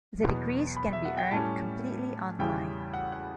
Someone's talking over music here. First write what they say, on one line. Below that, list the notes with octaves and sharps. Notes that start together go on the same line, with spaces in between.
The degrees can be earned completely online.
E2 B2 F#3 B3
B5
E5
F#5
G5
A2 G3 C#4 A5
E2 C#3 G3 C#4 E4 G5
F#5
F#5